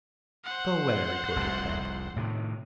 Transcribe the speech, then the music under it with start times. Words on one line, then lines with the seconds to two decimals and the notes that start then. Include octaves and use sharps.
'Go where?' retorted Peg.
0.44 C5 F#5
1.36 F1 C2 F2
2.16 A2 C3 D#3